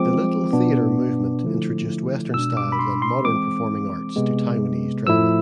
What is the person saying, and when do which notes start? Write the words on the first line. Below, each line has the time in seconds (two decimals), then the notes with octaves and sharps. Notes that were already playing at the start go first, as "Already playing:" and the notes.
The Little Theatre Movement introduced Western styles and modern performing arts to Taiwanese drama.
Already playing: F3 G#3 C4 D6
0.53 B2 B3 D4
1.44 D3 F3 A3 E4
2.34 B2 G#3 D4 E6
2.57 D6
2.72 B5
2.79 C6
3.02 C6
3.25 E3 G#3 C4 D6
4.16 C3 G#3 B3
5.07 A2 F3 A3 E4 E6